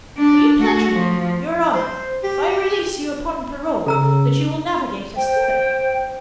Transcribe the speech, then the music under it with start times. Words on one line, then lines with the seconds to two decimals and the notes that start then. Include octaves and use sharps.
Will you pledge me your honour, if I release you upon parole, that you will navigate us thither?
0.17 D4
0.57 A3 F#4
0.94 F3
1.74 C5
2.24 G4
3.86 C#3 A4 A#5 E6
5.16 C5 G5